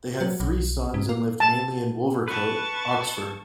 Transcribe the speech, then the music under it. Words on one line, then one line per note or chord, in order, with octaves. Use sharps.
They had three sons and lived mainly in Wolvercote, Oxford.
F#3
B1
G#2
A#3
A5
B4 A5 C#6